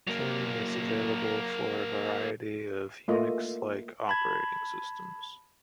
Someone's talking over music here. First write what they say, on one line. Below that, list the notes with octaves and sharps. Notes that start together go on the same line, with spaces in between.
Tin is available for a variety of Unix-like operating systems.
F#3 A#3
A3 A#3 F4 D#5
A5 B5 G#6